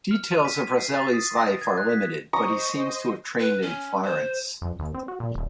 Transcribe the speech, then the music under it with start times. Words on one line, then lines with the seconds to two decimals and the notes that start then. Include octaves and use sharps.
Details of Rosselli's life are limited, but he seems to have trained in Florence.
0.11 F6
0.29 D#7
0.45 B6
0.78 C7
0.95 A6
1.13 D#6
1.37 A#6
1.61 G#6
1.77 F#6
1.89 B6
2.33 C5 D#5 A#5 C#6 D#6
3.40 B4
3.62 C#4
4.04 C5
4.62 F2
4.79 D#2
4.94 C4
5.08 F#4
5.20 A#2
5.35 D#1